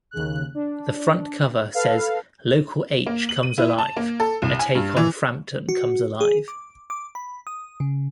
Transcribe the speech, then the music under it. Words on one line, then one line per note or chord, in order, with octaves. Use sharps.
The front cover says Local H Comes Alive!-a take on Frampton Comes Alive!
D#2 C#3 F#6
D4
A4 B4 F5
A#3
F#7
D#7
E4
A5
A#3
A4
C2
G#5
G2
E3
F#4
G#4
D6
D6
B5
D#6
C#3